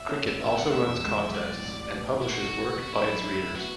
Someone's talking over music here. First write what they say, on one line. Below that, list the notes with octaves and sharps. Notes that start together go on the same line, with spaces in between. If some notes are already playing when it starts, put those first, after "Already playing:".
"Cricket" also runs contests and publishes work by its readers.
Already playing: E5
C#4
A1
B3 E5
D2 F#5
C#4 E5
E2
G#3
B1
F#4 D5
A2
A1
A1
B3
A1
E4
A3 F#4
A1
B3
A1 F#4
D4 E4
F#2
C#4
D2
B3 F#4